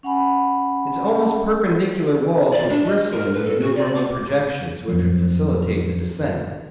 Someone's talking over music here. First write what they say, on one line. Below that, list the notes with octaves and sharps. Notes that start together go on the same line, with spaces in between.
Its almost perpendicular walls were bristling with innumerable projections which would facilitate the descent.
C#4 F#5 G#5 B5
D5
D4
D#5
A#4
B4
A4
F#4
D5
D6
F2 F3 F#3